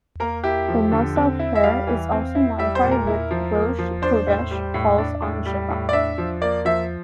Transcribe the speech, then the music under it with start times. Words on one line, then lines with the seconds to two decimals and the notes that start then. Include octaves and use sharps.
The "Mussaf" prayer is also modified when Rosh Chodesh falls on Shabbat.
0.20 A#3 A#4
0.44 E4 G4
0.68 F3
0.91 D3
1.16 C4
1.39 E4
1.55 E5
1.64 G3 F5
1.87 E3
2.12 C4
2.35 E4
2.59 G3 E5
2.75 C5
2.83 A#2
2.91 A#4
3.07 E4
3.31 F3
3.55 A#3
3.78 F3
4.02 D4 C5
4.26 A2
4.51 G3
4.74 A2
4.98 D4
5.22 A2
5.46 G3
5.70 A2
5.89 D5
5.93 D4 E5
6.18 F3
6.42 A#3 D5
6.65 F3 E5